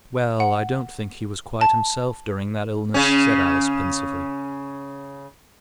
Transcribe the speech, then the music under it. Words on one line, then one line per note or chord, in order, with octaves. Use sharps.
"Well, I don't think he was quite himself during that illness," said Alice, pensively.
F#5
A5
C#3 C#4